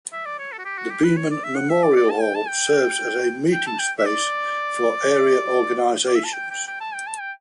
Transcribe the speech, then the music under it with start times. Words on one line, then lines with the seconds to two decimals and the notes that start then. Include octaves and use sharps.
The Beaman Memorial Hall serves as a meeting space for area organizations.
0.12 E5
0.26 D5
0.38 C#5
0.52 A4
0.58 F#4
0.65 G4
0.78 F#4
0.91 G4
1.04 B4
1.17 C#5
1.30 D5
1.44 E5
1.56 F#5
1.69 E5
1.83 D5
1.96 D5
2.10 A5
2.22 G5
2.35 A5
2.48 G5
3.53 G5
3.67 A5
3.79 G5
3.98 E5
4.06 D5
6.07 D5
6.15 E5
6.24 A5
6.33 G5
6.51 G5
6.67 G5
6.80 A5
6.94 G5
7.07 A5
7.20 G5